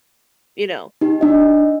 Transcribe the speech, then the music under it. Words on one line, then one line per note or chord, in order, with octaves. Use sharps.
You know?
D#4 G4
D4 D#5